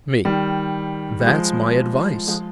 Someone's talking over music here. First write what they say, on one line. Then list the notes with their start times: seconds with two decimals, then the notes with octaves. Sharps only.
ME: That's my advice.
0.25 D#3 G3
1.20 G3
1.26 F3 G#3
2.27 F3 G#3